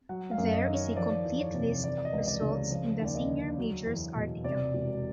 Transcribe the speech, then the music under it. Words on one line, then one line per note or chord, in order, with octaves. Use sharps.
There is a complete list of results in the senior majors article.
F#3 F#5
F5
F#2
D#5
D#3
C#5
F3 D5
E2
C#5
C3
E3 D5
D#5
C#2
D5
C#3
C#5
F3
D#2
D5
D#5
D3
F#3
E2
B2
C3 D5
E1